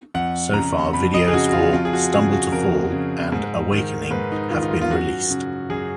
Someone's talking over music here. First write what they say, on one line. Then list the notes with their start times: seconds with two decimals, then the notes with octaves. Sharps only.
So far videos for "Stumble to Fall" and "Awakening" have been released.
0.14 F2 F#5
0.54 C#3 A#5
0.93 F2 B5
1.14 D#5
1.28 G#4
1.33 C#3 F#4
1.49 F#4
1.53 F4
1.73 F2 F4
1.85 G#4
1.93 F#4
2.13 C#3 G#4
2.33 F#4
2.52 F2 A#4
2.93 C#3
3.32 G#2
3.72 D#3
4.11 G#2 B4
4.32 D#4
4.50 D#3 F4
4.63 D#4
4.71 F4
4.81 F4
4.90 F#2 F#4
5.30 C#3
5.70 F#2 G#4